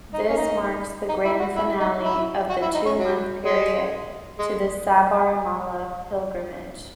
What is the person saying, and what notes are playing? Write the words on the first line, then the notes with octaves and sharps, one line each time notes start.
This marks the grand finale of the two-month period to the Sabarimala pilgrimage.
D#4
C#4
D#4
D#4
E4
F#4
E4
D#4
E4
F#4
E4
D#4
C#4
F#3
G#3
G#3